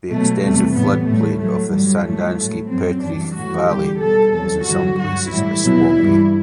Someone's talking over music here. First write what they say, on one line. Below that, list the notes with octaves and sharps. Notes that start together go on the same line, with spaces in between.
The extensive floodplain of the Sandanski–Petrich Valley is in some places swampy.
B2 F#3 A3
E2 C3 G3 A3
A2 E3 G3 B3
A2 G3 A3
A2 F#3 A3
G2 D3 F#3 G3
A2 E3 G3 A3
A2 F#3 A3
F#2 F#3 C4
F#2 E3 G3 D4
A2 E3 G3 F#4
E2 D3 G3 G4
B2 G3 A4
E2 C3 F#3 A4
G2 D3 F#3 F#4
G2 F#3 F#4
A2 E3 G3 E4
B2 F#3
G2 E3 G3